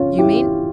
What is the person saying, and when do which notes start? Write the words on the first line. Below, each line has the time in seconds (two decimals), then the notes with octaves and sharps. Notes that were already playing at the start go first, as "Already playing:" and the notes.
"You mean?"
Already playing: C#3 C#4 F4
0.18 E4 G4